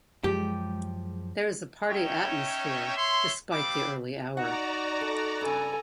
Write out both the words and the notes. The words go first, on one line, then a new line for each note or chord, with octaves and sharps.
There is a party atmosphere, despite the early hour.
F#2 F3 G#3 G4
C#4 D#4 C#5 E5 G5
C#5 E5 C6
G3 C4 F5 B5 D6
D#4 F#4 D5 F#5 A#5
A4
G2 C#3 A4 G#5